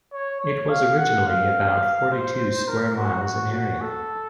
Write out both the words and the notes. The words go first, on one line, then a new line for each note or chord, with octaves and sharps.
It was originally about forty-two square miles in area.
C#5
C#5
F5
F#5
F5
C5
A#4
F#4
F#4
F#4
A4